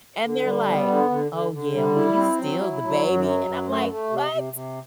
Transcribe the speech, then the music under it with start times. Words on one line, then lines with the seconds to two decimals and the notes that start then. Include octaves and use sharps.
And they're like, "Oh yeah, well, you still the baby,” and I'm, like, "What?
0.24 D3
0.45 G3
0.66 B3
0.88 D3
1.10 D3
1.31 D3
1.53 D3
1.74 G3
1.96 E4
2.17 C4
2.39 F#3
2.60 E4
2.81 F#3
3.03 F#2
3.24 F#3
3.46 F#2
3.67 A3
3.88 A3
4.10 C3
4.32 C3
4.53 C3